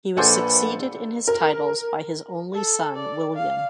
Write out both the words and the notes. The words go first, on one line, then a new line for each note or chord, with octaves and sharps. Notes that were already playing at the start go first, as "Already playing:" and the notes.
He was succeeded in his titles by his only son William.
A#1 A4 B4 C5 D5 F#5 G#5
A#4
A4
D5
F5